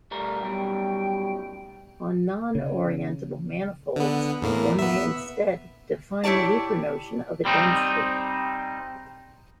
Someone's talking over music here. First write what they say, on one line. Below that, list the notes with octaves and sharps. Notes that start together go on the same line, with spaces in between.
On non-orientable manifolds, one may instead define the weaker notion of a density.
G3 A3 A#4
F#2 B2 G3 G5
C#3
D3 B3
E2 A2 A#3
B3 E5
E4 G4 C#5 D5 A5
G3 C4 D#4